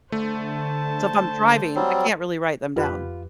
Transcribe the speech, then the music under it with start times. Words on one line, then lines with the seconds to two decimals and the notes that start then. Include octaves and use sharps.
So, if I'm driving, I can't really write them down.
0.12 D3 A3 C5 A5
1.76 F#3 G3 C4
2.76 F2 F4 G4 B4